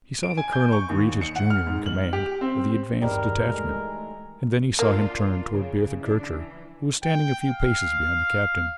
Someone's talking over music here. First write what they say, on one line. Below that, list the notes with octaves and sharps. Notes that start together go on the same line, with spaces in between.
He saw the colonel greet his junior in command of the advance detachment, and then he saw him turn toward Bertha Kircher who was standing a few paces behind the captain.
D7
G#5
G6
C#6
D#2
C#7
F#5
F6
G#2
F#7
G4
C4
G#1 E2 G2 G3 D#4 G#4 A#4
E3 G#3 A3
A#3 D4 F4
C#3
E3 D4
E3
G5
F5